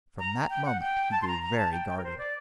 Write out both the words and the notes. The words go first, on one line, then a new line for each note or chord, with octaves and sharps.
From that moment he grew very guarded.
A#5
G5
F#5
G5
A5
C6
A#5
A#5
A5
G5
G5
A#4
C5
D5